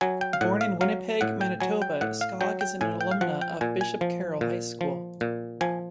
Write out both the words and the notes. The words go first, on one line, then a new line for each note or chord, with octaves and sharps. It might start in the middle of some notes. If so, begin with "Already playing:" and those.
Born in Winnipeg, Manitoba, Skauge is an alumna of Bishop Carroll High School.
F#3 G#5
G5
F5
A2 F#5
F5
F#3 F5
A2 F#5
G5
F#3 G#5
G5
A2 F#5
F5
F#3 G5
G5
A2 G#5
G5
F5
F3 F#5
G5
A#2 G#5
G#5
F3
A#2
F3
A#2
F3 G#5